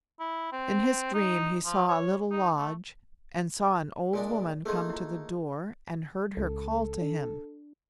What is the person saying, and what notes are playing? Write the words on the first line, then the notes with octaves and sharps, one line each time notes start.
In his dream he saw a little lodge, and saw an old woman come to the door and heard her call to him.
E4
C4
D#4
F3
C#5
D#4
A3
A#2 G#3 D4
A3 A#3 D#4 G#4 A4 C6
E4 F4
C#2 A4
D4